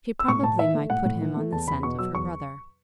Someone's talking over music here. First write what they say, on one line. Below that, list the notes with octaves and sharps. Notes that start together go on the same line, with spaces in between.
She probably might put him on the scent of her brother.
E6
A2 C#6
A2 A5
E3 E5
A3
A2 F#5
A2
E3
A3
E2 A5
E2 B5
B2 C#6
F#3 E6
E2 C#6